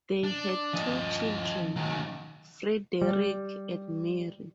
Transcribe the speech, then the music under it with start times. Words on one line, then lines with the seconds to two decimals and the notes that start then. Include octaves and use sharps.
They had two children, Frederick and Mary.
0.24 D4
0.73 F3 D#5
1.76 D#3 F#3
3.02 G3